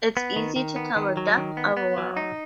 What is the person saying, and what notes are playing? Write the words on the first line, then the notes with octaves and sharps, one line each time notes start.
It's easy to tell the depth of a well.
B3
D#3
D#3
B3
D#3
F#3
D#3
B3
B3
F#3
D#4